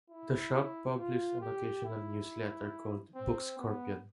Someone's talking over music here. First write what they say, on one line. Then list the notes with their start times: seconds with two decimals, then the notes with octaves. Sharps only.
The shop published an occasional newsletter called "Book Scorpion".
0.10 E4
0.98 F4
1.41 G4
1.85 E4
3.16 C4
3.59 B3